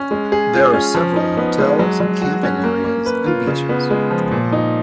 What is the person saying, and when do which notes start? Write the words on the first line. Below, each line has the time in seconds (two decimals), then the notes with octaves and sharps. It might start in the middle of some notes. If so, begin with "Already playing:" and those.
There are several hotels, camping areas and beaches.
Already playing: C#4
0.11 G#3
0.32 G#4
0.53 F4
0.73 C#4
0.95 F3
1.16 D#4
1.37 B3
1.59 G#3
1.79 F#3
2.00 F#3
2.22 F#4
2.43 C#4
2.63 A#3
2.84 A#3
3.06 B4
3.26 F4
3.47 C#3
3.69 B3
3.90 G#3
4.11 F3
4.31 A#2
4.52 D#4